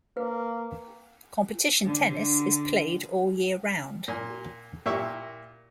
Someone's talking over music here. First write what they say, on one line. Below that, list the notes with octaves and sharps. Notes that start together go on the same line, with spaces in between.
Competition tennis is played all year round.
A#3 B4
D3
A#2 G#5
A#2 A#3 E4 G4 E5 C#6